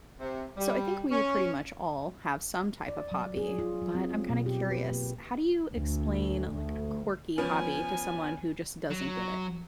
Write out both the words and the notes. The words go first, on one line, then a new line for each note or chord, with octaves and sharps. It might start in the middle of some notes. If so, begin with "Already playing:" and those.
So I think we pretty much all have some type of hobby, but I'm kinda curious, how do you explain, like, a quirky hobby to someone who just doesn't get it?
C3
G3
C#4
D5
F#3
G#4
F4
F#3
C4
B2
G4
B4
A#3
D2
D2
F3 B3 C#4 G#5
F#3